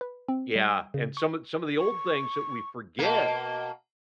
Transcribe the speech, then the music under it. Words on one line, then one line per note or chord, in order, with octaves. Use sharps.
Yeah, and some of some of the old things that we forget
B4
C4
G3
C#3
C#6
C#6
B2 A#3